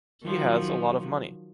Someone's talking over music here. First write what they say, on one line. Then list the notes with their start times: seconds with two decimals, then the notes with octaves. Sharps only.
He has a lot of money.
0.22 D#3 F3 F#3